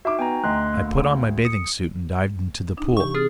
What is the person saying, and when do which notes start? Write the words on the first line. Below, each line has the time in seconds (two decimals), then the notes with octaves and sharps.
I put on my bathing suit and dived into the pool.
0.05 D#4 F#4 E5 D6
0.19 B3 G5 G#5 A#5
0.44 D2 D#5 C6 F#6
0.74 A#3
1.45 D#6 C#7
2.77 D4 D#4
2.97 C3 E3 G4 C#6
3.15 C4 G#4 F6 A6